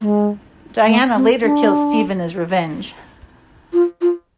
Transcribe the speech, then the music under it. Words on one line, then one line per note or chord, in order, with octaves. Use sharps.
Diana later kills Stephen as revenge.
A3
G#3
A3
C4
D4
F4
F4